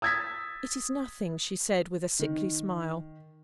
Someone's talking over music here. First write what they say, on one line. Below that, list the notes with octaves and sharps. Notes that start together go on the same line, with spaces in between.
'It is nothing,' she said, with a sickly smile.
D#6 E6 G#6 A6 B6
D#3